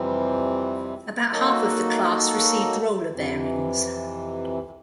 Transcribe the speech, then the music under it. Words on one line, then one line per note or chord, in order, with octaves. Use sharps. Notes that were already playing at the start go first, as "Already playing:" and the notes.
About half of the class received roller bearings.
Already playing: F2 C3 E3 G3 C4
F#3 A#3 D#4 F#4 A4
F2 C3 E3